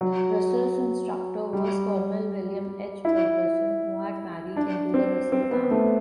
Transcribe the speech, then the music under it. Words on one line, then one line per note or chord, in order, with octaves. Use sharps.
Russell's instructor was Colonel William H. Fulkerson, who had married into the Russell family.
F#3
G3
E4
D4
C4
C4
B3
A3